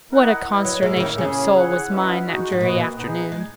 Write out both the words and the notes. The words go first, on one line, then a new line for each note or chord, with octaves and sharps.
What a consternation of soul was mine that dreary afternoon!
E4 A#4 D#5 F#5
E4 B4 D#5
F#3
G#3 A#3 E4 A#4 E5
C#3
D#3
C#3 A#3 C#4 E4 G#4
E4 G#4 C#5 F#5
C#4 E4 B4 D#5 F#5
G#3 D#4 F#4
G#2
A#2 F#4 B4 D#5
B3 D#4 G#4
G#3